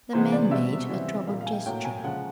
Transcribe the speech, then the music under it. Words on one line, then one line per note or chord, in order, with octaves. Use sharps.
The man made a troubled gesture.
C3 E3 G#3 B3 C5
D5
B2 G3 C4 E5
C#3 E3 G3 C4
A#2 G3 A#3 F5
F5
G#5
G5
A2 F#3 A#3 G5
G#5
C#3 F3 G#3 F#5